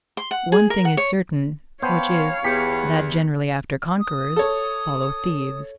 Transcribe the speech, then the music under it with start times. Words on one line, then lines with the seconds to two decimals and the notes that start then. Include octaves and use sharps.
One thing is certain, which is, that generally after conquerors follow thieves.
0.17 C6
0.31 F#5
0.52 G#4
0.70 A#4
0.85 F#5
0.97 C#5
1.82 B3 C5 C#5 F5 G5 A5 B5
2.44 E2 G4 B6 C#7
4.00 D#6
4.36 A4 C#5